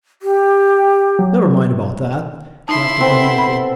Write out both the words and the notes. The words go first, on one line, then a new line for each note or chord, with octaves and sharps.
"Never mind about that," laughed the bunny uncle.
G4
F#3
D#4 E4 A5 C6
B3 C4 A4
B5